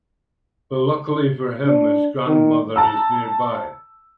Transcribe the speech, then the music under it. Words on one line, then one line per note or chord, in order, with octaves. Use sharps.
But luckily for him his grandmother is nearby.
D4
D#3
A5 A#5 E6